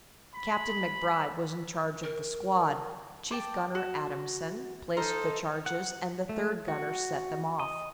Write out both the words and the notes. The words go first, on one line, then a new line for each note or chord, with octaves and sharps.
Captain MacBride was in charge of the squad, Chief Gunner Adamson placed the charges and the third gunner set them off.
B5
A#4
G5 A5 D6
F#4
D#4 A4 C5 F5
F#5
A3
F#4
D#5